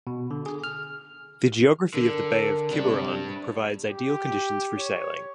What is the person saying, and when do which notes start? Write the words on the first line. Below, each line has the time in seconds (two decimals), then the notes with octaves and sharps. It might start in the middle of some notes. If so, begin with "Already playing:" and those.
The geography of the Bay of Quiberon provides ideal conditions for sailing.
0.07 B2
0.31 D3
0.46 G#4
0.64 F6
1.94 D3 A#4
2.71 G2 C3 D4
3.89 G4
4.78 C#5